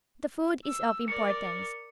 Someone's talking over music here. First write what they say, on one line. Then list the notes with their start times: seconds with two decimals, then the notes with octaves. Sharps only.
The food is of importance.
0.65 E6
1.08 A#4 D5 C#7